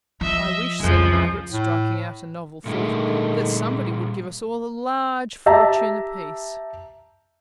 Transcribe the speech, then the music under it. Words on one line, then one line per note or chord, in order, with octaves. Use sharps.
"I wish," said Margaret, striking out a novel thought, "that somebody would give us all a large fortune apiece!"
F3 D#5 E5 E6
C2 F2 C#3 F3 G#3
A2
A#2 D3 D#3 G3 A3 G#4
G4 E5 A5 A#5